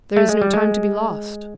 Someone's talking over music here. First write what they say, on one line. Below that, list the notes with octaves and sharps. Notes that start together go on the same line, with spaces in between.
"There is no time to be lost."
A3
G#3
G3
G#3